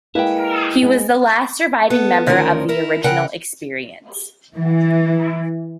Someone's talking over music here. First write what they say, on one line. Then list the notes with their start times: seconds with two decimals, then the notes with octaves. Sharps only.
He was the last surviving member of the original Experience.
0.15 G#3 A#3 E4 B4 G5
0.83 G#3
1.90 B3 A4
2.26 D2 D#3 F3 C#4 A#4
2.69 E4 A#4
3.04 C#3 A#4 F#5 G5
4.54 E3